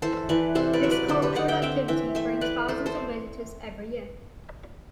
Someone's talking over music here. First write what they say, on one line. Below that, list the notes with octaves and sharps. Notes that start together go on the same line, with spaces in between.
This cultural activity brings thousand of visitors every year.
E3 A4 C5
E3 B4 D5
C3 A4 C5
B4 D5
F#3 E5
B4 D5
D3 A4 C5
G4 B4
D3 D5 F#5
E5 G5
C4 E5 G5
E3 E5 G5
A3 C5 E5
A3 B4 D5
A3 A4 C5
A4 C5
C4